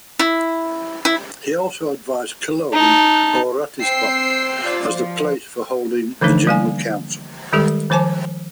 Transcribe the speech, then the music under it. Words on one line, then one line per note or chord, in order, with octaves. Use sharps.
He also advised Cologne or Ratisbon as the place for holding the General Council.
E4
E4
D#4 A5
C4 C5 G5 E6 C7
F4 C5 D5
F3
D3 E3 F3 A3 D4 D#4
G3 A#3 G#5
D#3 G3 G#3 G4 A4
D#3 F3 C5 G#5 A5 D6